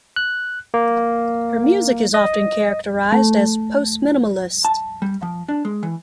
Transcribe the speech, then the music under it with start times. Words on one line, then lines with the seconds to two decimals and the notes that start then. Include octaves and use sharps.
Her music is often characterized as postminimalist.
0.16 F#6
0.74 A#3
2.14 D#5
3.12 A3
4.65 A5
5.02 G3
5.23 F3
5.48 D4
5.65 G#3
5.83 E3